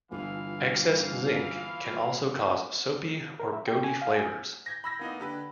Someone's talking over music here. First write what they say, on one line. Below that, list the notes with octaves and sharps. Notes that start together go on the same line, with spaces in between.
Excess zinc can also cause soapy or goaty flavors.
G1 E3 F4 F5
A#4
E5
G5
G#5
F5
G#5
G6 G#6 A#6
B5 E6 A#6
A#3 B3 D#4
D3 G4 B4